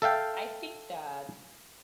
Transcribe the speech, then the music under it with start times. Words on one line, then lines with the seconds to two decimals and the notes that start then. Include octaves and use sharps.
I think that
0.02 A4 E5 F5 G5